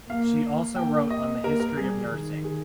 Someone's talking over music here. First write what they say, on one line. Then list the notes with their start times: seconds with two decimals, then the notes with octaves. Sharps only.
She also wrote on the history of nursing.
0.09 A#3 F5
0.76 A#3 G5
1.10 D#5
1.44 A#3 A#4
1.60 A#4
1.77 G3 G#4
2.10 D#3
2.44 G#4